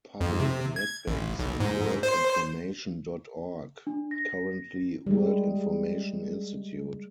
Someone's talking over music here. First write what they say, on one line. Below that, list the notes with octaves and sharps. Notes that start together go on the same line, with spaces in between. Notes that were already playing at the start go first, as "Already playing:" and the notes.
Public Netbase and World-Information.Org, currently: World-Information Institute.
F2
C3
G#6
A1
B1
G#2
C5
D4
A#6
G3 G#3